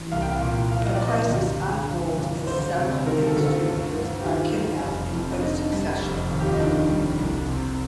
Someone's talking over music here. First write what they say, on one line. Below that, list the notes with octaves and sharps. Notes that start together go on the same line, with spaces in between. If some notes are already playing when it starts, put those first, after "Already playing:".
A crisis unfolds as several industry leaders are kidnapped in quick succession.
Already playing: A1
C2 F5
G5
F5
A#2
F3 F5
D#5
C2 D5
D#5
G1 G4
G2
F3
G1
D2 C5
C3
D#3 A#4
A4
D2
F4
G1
G2
G4
D#3 F4
G3
F1
F2
D4
D3 D#4
G3
F1
D#2
G4
F4
D#4
D#3 D4
G3
C2
C3